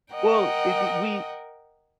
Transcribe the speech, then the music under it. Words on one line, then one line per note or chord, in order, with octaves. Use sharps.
Well, d d we
A#4 D#5 F#5 G5